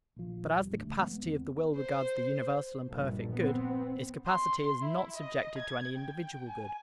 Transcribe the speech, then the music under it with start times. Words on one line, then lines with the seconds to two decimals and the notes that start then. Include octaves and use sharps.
But as the capacity of the will regards the universal and perfect good, its capacity is not subjected to any individual good.
0.16 A#1 F3
0.56 E1 G3
0.71 D2 A2
0.85 G#1 C#2 A3
0.98 F3 G#3 A3 B3
1.22 E2 B3 C4
1.76 C5
2.90 A#1 G2
3.35 B3 C4
4.27 C6
4.83 E4
5.17 D#5
5.58 G#6
5.98 G5
6.49 G#5